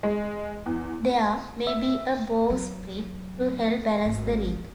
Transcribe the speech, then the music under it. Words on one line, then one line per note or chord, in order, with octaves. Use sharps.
There may be a bowsprit to help balance the rig.
G#3
E2
E5
F#3
G#1